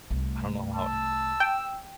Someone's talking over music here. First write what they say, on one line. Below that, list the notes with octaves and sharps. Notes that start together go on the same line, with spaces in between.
I don't know how I"
C2 A3
A5 E6
G5